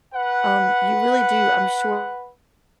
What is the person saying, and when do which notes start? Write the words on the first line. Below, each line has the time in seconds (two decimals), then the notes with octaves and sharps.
um, you really do, I'm sure,
0.14 B4 F#5